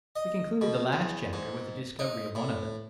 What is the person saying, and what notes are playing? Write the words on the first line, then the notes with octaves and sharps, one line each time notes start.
We concluded the last chapter with the discovery of one of them.
D#5
B2
E2
G#2
D#4
A2